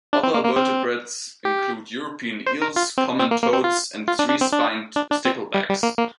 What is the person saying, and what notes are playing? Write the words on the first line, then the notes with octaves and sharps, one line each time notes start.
Other vertebrates include European eels, common toads and three-spined sticklebacks.
D4
C4
A#3
A#3
C4
G4
C5
A#4
F4
C4
C4
A#3
A#3
C4
F4
F4
D4
D4
C4
D4
D4
D4
C4
G3
G3
A#3
A#3